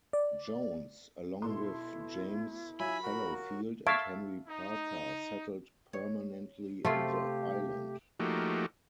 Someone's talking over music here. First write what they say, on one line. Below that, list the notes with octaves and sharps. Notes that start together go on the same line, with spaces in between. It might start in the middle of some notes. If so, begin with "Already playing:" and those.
Jones, along with James Fallowfield and Henry Parker, settled permanently on the island.
D5
B2 E4 A4 C6
F#3 F4 E5 G#5 B5
F#4 A#4
E5 F5 A5 C#6 G#6 D7
D#4
C#5
C3 A3 F4 G4 A4 G#5
F3 A3 A#3 D#4 F#4 G4